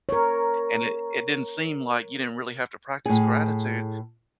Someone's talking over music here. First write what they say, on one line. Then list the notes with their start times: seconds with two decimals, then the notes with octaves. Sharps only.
And it it didn't seem like you didn't really have to practice gratitude
0.09 A#4 C#5
3.06 A2 G#4